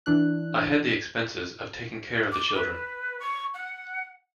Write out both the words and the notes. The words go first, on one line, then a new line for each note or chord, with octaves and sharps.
I had the expenses of taking care of the children.
E3 D4 F#6
D6
B4
C#6
F#5